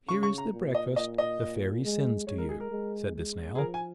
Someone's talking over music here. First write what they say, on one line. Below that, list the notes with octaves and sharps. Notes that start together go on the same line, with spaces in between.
"Here is the breakfast the Fairy sends to you," said the Snail.
C#3 C#6
C#6
A#5
A#2
D#5
A#2 D#5
D#5
A#2
G#3
G#3 C#5
A#4
G#4
A#4
G#3
G#3
G#4
F3 A#4
G#5